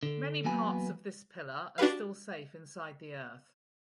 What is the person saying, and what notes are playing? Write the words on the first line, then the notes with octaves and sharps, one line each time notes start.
Many parts of this pillar are still safe inside the earth.
D3
E3 F#3 A#3 B3 G#5 B5
D4 F#4 G4 B4 F5